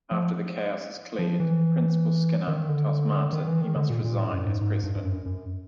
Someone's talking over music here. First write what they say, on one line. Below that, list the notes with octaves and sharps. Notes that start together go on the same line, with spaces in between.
After the chaos has cleared, Principal Skinner tells Martin he must resign as president.
F3
F3
E3
D#3
D3
D#3
E3
D#3
D3
A#2
A#2
A2
F#2
G#2
G#2
G2
G2
F#2
F#2